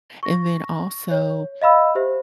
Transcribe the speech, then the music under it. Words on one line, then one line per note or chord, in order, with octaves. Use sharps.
and then, also
C#6 A#6
C#5
D#5 F5 B5 E6
G4 C5 E5